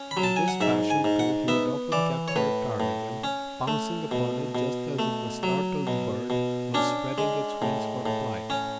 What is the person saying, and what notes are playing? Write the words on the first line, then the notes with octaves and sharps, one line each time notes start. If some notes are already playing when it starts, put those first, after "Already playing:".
In this fashion, too, he would often capture a ptarmigan, pouncing upon it just as the startled bird was spreading its wings for flight.
Already playing: C#4
B5
F#3
A5
G#5
F#5
G#2 E5
G#5
G#2
F#5
B3 E5
E3 D5
C#5
A2 B4
A2
C#4
A3
B2
B2
A3
F#3
B2
B2
C#4 D4
G#3
A2
A2
C#4